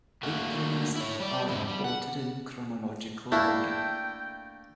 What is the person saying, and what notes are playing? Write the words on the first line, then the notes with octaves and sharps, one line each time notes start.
Victories are reported in chronological order.
A3 A#3 F#4
E4 C#5
G3 D5
F2 G#2 D3 E4
G3
F#5
A3 A#3 D4 E4 G5